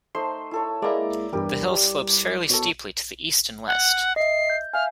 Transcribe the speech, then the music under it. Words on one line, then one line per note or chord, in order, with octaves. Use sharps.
The hill slopes fairly steeply to the east and west.
A3 D#4 C5 C6
E4 A4 C#5
G#3 A#3 E4 D5 A#5
E2 G2 G4 A#4 B4
G3
B2 A4 C#5
F#5
D#5 E5 C7
G6
E5 F5 G#5 F6